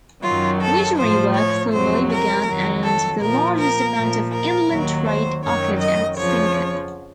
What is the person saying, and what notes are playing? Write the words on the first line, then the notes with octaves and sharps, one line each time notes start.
Missionary work formally began and the largest amount of inland trade occurred at Sinkan.
F#2 D#3 F#3 F4
A4
A2 F3 C5
C#5
F2 C3 F#3 C5
A#4
F2 D#3 F#3
A4
A#2 F3 A#4
A#4
A#2 F3
A#4
D#2 D#3 F#3
C5
F#2 D#3 F#3 C#5
D#5
F2 C#3 F3 C#5